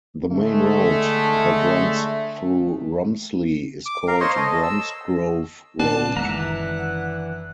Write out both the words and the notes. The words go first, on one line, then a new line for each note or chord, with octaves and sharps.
The main road that runs through Romsley is called Bromsgrove Road.
D3 G#3 A3
D6
A#4 F5
C5 C#5 D#5 C6
A4 D#5
E6
A#2 B3 D4 A5
F#1 D#3 E3 G#3 E5 F#5 A#5